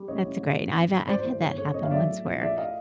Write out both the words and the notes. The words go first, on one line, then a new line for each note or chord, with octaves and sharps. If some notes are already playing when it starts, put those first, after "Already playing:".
That's great. I've, uh, I've had that happen once where,
Already playing: G3
A1 C#5 D#5
A1
G#2
A1
G#1
G2
G#1 C5 D5
C5
E3
C5
G1 C#5
D3 C#5
G1 C#5 D#5
F5
F#3 D5 E5
A2
A#1
A2 D5 E5
D#5 F5